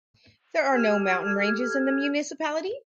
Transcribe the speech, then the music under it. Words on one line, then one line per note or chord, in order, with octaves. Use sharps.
There are no mountain ranges in the municipality.
G4 A4 F6 G#6